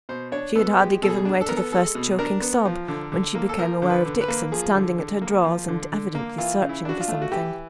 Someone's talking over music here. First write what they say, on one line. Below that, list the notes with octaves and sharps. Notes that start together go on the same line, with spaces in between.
She had hardly given way to the first choking sob, when she became aware of Dixon standing at her drawers, and evidently searching for something.
B2 C5
D4 C#5
B3 A4
G#3 G4
B2 A4
G#4
D4
A4
B3 A#4
A4
G#3 A4
B2
D4 A#4
B3
F3
D3
D3
A#3
A4
F3 A#4
D3
B4
D3
B4
A#3
F3 G#4
D3
D3
A#3
F3
D3
D3
A#3
E3 F4
C#3
E4
D4 F#4
F4
A3
F#4
E3 G4